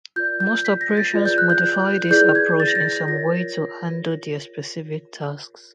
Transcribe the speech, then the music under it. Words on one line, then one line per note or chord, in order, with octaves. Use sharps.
Most operations modify this approach in some way to handle their specific tasks.
F4 A#4 D5 G6
G6
B6
A#6
A6
F4 G#4 B4 D5
G6
F#6
G6
E4 G#4 B4 D5 G6
G#6
A6
A#6
A6
F4 A#4 C#5 A#6